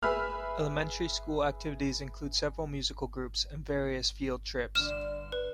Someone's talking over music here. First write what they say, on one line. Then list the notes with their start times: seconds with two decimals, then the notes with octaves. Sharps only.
Elementary school activities include several musical groups and various field trips.
0.03 G#4 B4 E5 B5 E6 F6
4.75 G2 D3 F6 E7
5.32 B4